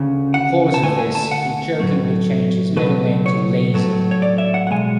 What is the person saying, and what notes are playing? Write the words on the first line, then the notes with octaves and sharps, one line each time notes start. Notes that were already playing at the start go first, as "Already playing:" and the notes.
Because of this, he jokingly changed his middle name to "Lazer".
Already playing: D2 C#3
F#5
A5
D2 D3 A3 G#5
G#5
A5
F#5
A2 F#3 A3
C#2 B2 F#3 A3 B4
C#5
A2 F#3 A3
C#5
D5
E5
F#5
F#5
B1 B2 G#3 G#5